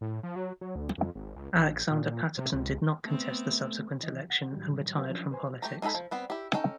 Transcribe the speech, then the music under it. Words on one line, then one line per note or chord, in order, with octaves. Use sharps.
Alexander Paterson did not contest the subsequent election, and retired from politics.
A2
F3
F#3
F#3
D2
F2
G#1
C#2
A#1
A#2
C3
C#2
A3 B3 C4
E3 D#5
F#5
A2 D#3 F#3 G3
F#3 B3 G4 A#4 B4 F5
F3 F#3 C#4 D4
B4 C5 G#5 C6
A3 G4 A#5
G#3 D#4 G#4 A4 B5
F3
G3 B3 C4
E4 G4
C#4 D#4 A4 G5